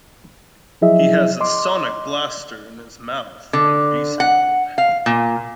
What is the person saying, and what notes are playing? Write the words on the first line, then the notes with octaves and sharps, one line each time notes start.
He has a sonic blaster in his mouth in beast mode.
F3 F#3 E4 G#4 D#5 E5
D#5 C6 D6
D3
F#5
F5
A#2